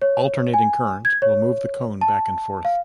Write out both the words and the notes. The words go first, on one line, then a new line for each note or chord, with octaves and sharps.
Alternating current will move the cone back and forth.
C#5
G#5
G#6
C#5
A5
F5